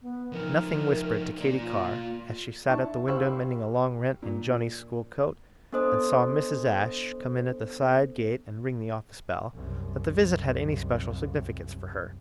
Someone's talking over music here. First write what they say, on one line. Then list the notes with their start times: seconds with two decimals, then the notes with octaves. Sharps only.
Nothing whispered to Katy Carr, as she sat at the window mending a long rent in Johnnie's school coat, and saw Mrs. Ashe come in at the side gate and ring the office bell, that the visit had any special significance for her.
0.02 B3
0.33 F3 D#4 A#4
1.41 A#3 D5
1.60 F4
2.69 D4 E4 A5 C#6
3.08 G4 C5 F5 B5 C#6 E6
4.23 A#2
5.72 B3 D4 A4 C5 D#5 D#6
9.53 C2 F#2